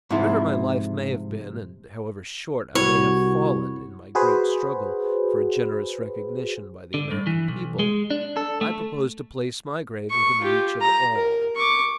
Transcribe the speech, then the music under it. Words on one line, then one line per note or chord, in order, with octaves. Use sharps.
Whatever my life may have been, and however short I may have fallen in my great struggle for a generous recognition by the American people, I propose to place my grave within reach of all.
G#2 C3 F3 E4
C2 E4 F#4 C#5
F#4 G#4 B4 C5
D3
G2
E3
B1
G#3
D4
A4
A3
C#6
F4 G4
A#5
A#4
C#6 D6